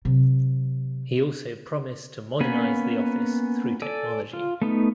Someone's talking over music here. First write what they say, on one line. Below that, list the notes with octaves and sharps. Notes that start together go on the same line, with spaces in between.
He also promised to modernize the office through technology.
C3 F#3
A#3 B3 C#4 G#5 B5
A4 D5 G#5
F4
A3 B3 D#4